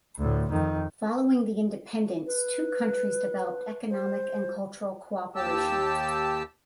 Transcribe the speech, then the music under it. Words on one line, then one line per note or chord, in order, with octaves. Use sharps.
Following the independence two countries developed economic and cultural cooperation.
D2 A2
F2 D#3
B4
C5
D#2 G4 A5 E6